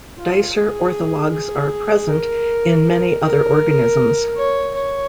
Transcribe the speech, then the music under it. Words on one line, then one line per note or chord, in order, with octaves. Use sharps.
Dicer orthologs are present in many other organisms.
F4
G#4
G#4
A#4
A#4
C#5
C#5